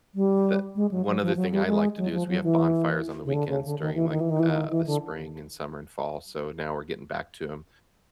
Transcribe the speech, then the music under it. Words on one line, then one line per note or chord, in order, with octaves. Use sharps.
the one other thing I like to do is we have bonfires on the weekends during, like, uh, the spring, and summer, and fall, so now we're getting back to 'em.
G3
G#3
F#3
F#3
F3
F#3
G3
G#3
F#3
F3
F#3
E3
C#3
D3
C#3
D3
D#3
E3
D#3
E3
D#3
E3
D#3
E3
D3